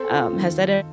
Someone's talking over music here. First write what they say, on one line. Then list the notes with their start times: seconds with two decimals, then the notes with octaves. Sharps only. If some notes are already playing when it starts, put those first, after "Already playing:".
um, has that
Already playing: C4 A4 C5
0.09 F4
0.33 D#3